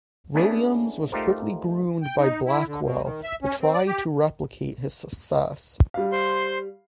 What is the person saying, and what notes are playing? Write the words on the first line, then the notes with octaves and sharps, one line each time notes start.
Williams was quickly groomed by Blackwell to try to replicate his success.
A3 B3 C#4 D4 E4 G#4
A3 D#4 F4 G4 A#4 C5
G5
D#4
E4
D3
B2
D#3
E5
C#4
C4
D5
G4
G3 F5
C5 C6